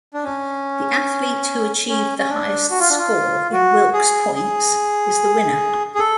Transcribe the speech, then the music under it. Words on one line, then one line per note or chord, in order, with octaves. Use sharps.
The athlete who achieved the highest score in Wilks points is the winner.
D4
C#4
C#4
C#4
D4
F#4
F4
D4
F4
F#4
G#4
G#4
G#4
A4